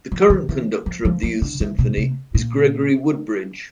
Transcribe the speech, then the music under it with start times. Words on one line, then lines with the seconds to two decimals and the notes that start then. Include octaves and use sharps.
The current conductor of the Youth Symphony is Gregory Woodbridge.
0.12 F3
0.30 D#3
0.49 E3
0.86 F3
1.05 F3
1.23 F3
1.42 D3
1.60 E3
1.79 B2
1.97 C3
2.34 A#2